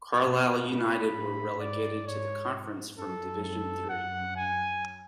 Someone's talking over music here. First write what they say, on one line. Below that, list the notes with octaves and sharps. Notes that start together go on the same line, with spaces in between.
Carlisle United were relegated to the Conference from Division Three.
B2
A2 B5
A2
G#2 D5
G#2 C#5
G#2
F#2 A4
A4
F#2 F#5
G#5